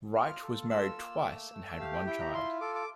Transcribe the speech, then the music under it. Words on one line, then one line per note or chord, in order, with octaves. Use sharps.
Wright was married twice and had one child.
F4 F6
A4
F4 E6
A#3
A3
A3
G4 F5
G5
E4 G5
A#5
F4 C6
A4 D6
D6